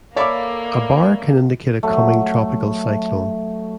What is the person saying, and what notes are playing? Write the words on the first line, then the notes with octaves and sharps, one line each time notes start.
A bar can indicate a coming tropical cyclone.
A#3 A4 C#5 D5 E5 F5 B5 D6
F#3 A3